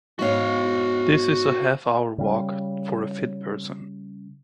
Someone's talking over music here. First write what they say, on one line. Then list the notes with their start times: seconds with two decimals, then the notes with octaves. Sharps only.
This is a half-hour walk for a fit person.
0.19 G#2 B3 F#4 C#5 F5
2.18 C#3 G3